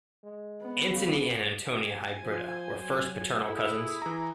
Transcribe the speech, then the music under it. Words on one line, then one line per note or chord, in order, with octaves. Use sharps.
Antony and Antonia Hybrida were first paternal cousins.
G#3
B3
C#3
G4 G#5
F3 C5
F#3
E4 G#4 A4 E5
E3 A#5